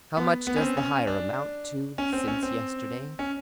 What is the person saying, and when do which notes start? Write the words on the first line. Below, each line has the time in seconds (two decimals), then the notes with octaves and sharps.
"How much does the hire amount to since yesterday?"
0.17 B3
0.47 B3
0.56 C#4
0.61 C4
0.77 C#4
1.07 D4
1.98 C#4
2.13 C4
2.28 C#4
2.43 C4
3.19 C#4